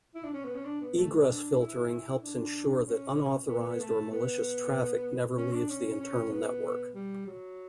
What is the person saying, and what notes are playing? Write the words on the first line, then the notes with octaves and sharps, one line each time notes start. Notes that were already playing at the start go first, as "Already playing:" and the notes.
Egress filtering helps ensure that unauthorized or malicious traffic never leaves the internal network.
E4
D4
C#4
B3
C#4
D4
B3
A3
D4
E4
D4
C#4
B3
B3
B3
A3
B3
C#4
D4
C#4
C#4
B3
G3
F#3